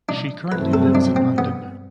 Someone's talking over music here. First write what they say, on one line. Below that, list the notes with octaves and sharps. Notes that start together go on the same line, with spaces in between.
She currently lives in London.
D4
G2 F#3 A3 C4 B4
A4
D4
C4
B3